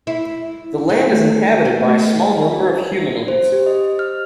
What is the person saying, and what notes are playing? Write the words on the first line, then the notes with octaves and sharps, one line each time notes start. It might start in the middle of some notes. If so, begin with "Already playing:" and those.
The land is inhabited by a small number of humanoids.
E4
A3
A3
C5
G4
D#5
F6